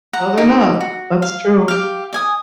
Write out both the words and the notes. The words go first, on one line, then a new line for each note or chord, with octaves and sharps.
No, they're not. That's true.
F#5 A#5
D#4 G4
F#4
F5
G4 F5
D5 G#5 D#6